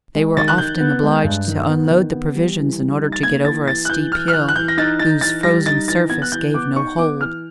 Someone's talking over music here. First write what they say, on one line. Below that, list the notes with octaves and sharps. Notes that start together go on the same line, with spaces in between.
They were often obliged to unload the provisions in order to get over a steep hill, whose frozen surface gave no hold.
G#3
D#3 A6
F#6
D#3 G6
B3
G#3
G2
D#3
B3
D#3
B3
G3
E3
G3
D#4
A6
A#3 G#6
E3 A6
E3 A6
F#6
E3 G6
E3 F6
F6
E3 F#6
F#6
E3 G6
A#6
D#4 A6
D#4 A6
E3 A6
G3 A#6
D#4 A6
E3 A6
B3 G#6
F#6
E3 G6
B3 D6
D#4 C#6
B3 D6
E3 F6